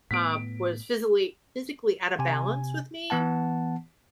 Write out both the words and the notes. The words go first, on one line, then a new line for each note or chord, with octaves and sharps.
um, was physically- physically out of balance with me,
A2 B3 B6 D7
C3 G#5
E3 B3 F#5 A5